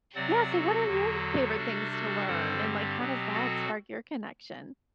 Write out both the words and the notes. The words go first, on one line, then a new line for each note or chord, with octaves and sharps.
Yeah, so what are your favorite things to learn, and, like, how does that spark your connection?
C3 F#3 C4 D5 F#5
F#4 A4
E2 D3 F#3
C3 G3 D4
F#4 A4
G2 D3 G3 C4 A4 C5
G4
B2 F#3 C4
F#4 A4